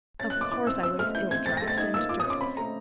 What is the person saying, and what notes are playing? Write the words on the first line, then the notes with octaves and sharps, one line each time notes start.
Of course I was ill-dressed and dirty.
C#4 A6
F#6
A#3 D6
E4 D6
C4 E6
C4 E6
A3 F6
E4 G6
C4 G#6
A2 A6
A#6
A3
A6
D#4 G#6
A#3 E6
F4 D6
D#6
C#4 D6
C4 B5
A3 A#5